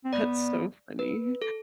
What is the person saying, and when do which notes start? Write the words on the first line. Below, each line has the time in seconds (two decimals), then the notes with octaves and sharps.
That's so funny.
0.05 C4
0.13 B3 D5
0.99 B4
1.42 A4